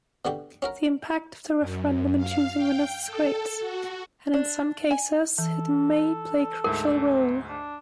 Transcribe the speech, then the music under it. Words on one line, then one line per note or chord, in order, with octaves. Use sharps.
The impact of the referendum in choosing winners is great, and in some cases it may play crucial role.
B2 D3 F#4 G4
C#4 F#4 A#4
F#2
F5
G5
A4
F#4
D4
G#5
E3 A4
D2 G#2 A#4 E5
D4